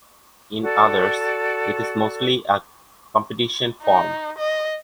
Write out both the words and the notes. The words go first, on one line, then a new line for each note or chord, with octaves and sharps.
In others, it is mostly a competition form.
F#4 A4 D5
D#4
D#5